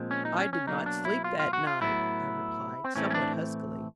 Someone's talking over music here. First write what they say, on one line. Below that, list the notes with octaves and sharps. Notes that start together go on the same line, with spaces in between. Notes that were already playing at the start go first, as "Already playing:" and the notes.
"I did not sleep that night," I replied, somewhat huskily.
Already playing: A#2 F3 G#3 C4
C#4
D#4
C#4
C#4
B1 B2 F#3 A#3 D#4
D4
E4
F4
F4
F#4
F4
A2 F#3 B3 E4
C4
A2 E3 A3 C4 C#4
C#4
D4